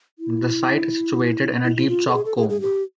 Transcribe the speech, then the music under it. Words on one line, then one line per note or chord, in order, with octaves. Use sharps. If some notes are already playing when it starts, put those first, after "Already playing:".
The site is situated in a deep chalk combe.
E4
E4
E4
F4
A4
G#4
A4
G#4
G#4
G4